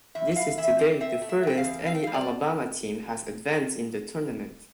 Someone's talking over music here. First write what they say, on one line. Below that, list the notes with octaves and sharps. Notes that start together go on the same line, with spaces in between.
This is to date the furthest any Alabama team has advanced in the tournament.
E2 E5
E5
E3 F5
E3 E5
C4 D5
C4 E5
A3
E5
A3 G5
F5
E2
C4 F5
G5
G3 F5
D5